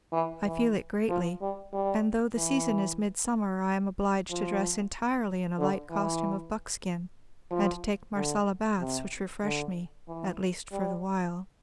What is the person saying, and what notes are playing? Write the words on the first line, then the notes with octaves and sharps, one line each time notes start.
I feel it greatly; and though the season is midsummer, I am obliged to dress entirely in a light costume of buckskin, and take Marsalla baths, which refresh me, at least for the while.
E3
E3
F3
G3
G3
E3
F3
D3
E3
F3
D3
C3
D3
E3
G3